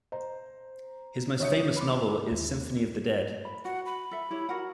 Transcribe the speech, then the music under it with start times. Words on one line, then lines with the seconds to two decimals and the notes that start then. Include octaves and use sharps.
His most famous novel is "Symphony of the Dead".
0.12 C5 A#5
1.40 D2 C#5 E5 D#6 G6 C#7
1.77 B5 C6 D6
2.31 D#2
3.45 B5
3.65 F#4 F#5
3.86 B5
4.11 A4 E5
4.31 E4 G4 C#5
4.49 F#4 A#4 F#5